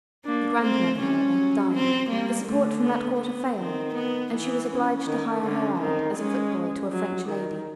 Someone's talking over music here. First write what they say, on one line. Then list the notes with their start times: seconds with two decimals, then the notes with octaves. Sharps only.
The grandmother, however, dying, the support from that quarter failed, and she was obliged to hire her out as a footboy to a French lady.
0.25 A#3 D4
0.62 A3 C4
0.99 G3 C#4
1.37 F#3
1.74 C4
2.10 G3 A#3
2.47 D3 A3
2.84 B3
3.21 B3
3.59 D#3 C4
3.95 B3
4.32 E3 B3
4.70 C#4
5.06 D#3
5.43 D3 C#4
5.80 D#3 C4
6.17 G#3 C#4
6.91 F#3
7.28 D#3